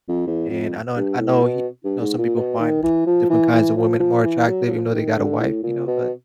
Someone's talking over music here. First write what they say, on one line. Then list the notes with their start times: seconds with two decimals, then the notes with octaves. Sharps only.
And I known and I know he you know, some people find different kinds of women more attractive even though they got a wife, you know? But,
0.08 F2
0.27 E2
0.49 F2
0.97 G2
1.19 A2
1.43 B2
1.85 G2
2.01 G#2
2.18 A#2
2.36 B2
2.59 D#3
2.83 E3
3.07 F3
3.30 E3
3.53 E3
3.77 F3
4.00 F3
4.24 E3
4.47 F#3
4.66 F#3
4.69 F3
4.94 D#3
5.17 D3
5.40 A2
5.63 A#2
5.87 B2